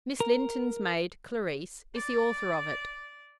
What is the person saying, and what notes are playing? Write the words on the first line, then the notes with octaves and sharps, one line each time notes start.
Miss Linton's maid, Clarisse, is the author of it.
A#4
D5